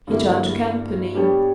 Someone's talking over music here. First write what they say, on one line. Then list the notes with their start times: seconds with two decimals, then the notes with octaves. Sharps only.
He turned to Campany.
0.07 G2 D3 A#3 E4
1.14 G3 B3 D4 G4 C#5